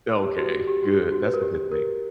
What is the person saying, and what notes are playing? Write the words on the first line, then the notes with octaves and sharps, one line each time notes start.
Okay, good. That's a good thing.
G4
F#4
F#4
G4
F#4
F#4
B4
A#4
G4
A#4